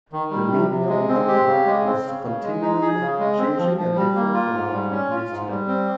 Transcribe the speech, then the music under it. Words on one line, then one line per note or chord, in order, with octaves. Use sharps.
The meaning of nanpa was continuely changing and different from what it means today.
D#3
G3
C3
C3
G#3
C4
G4
C#3
G#3
C4
C#3
C#3
G#3
D#4
G#4
C#3
G#3
C4
F3
F3
G3
A#3
F4
G#2
G3
C#4
F4
G#2
G3
C4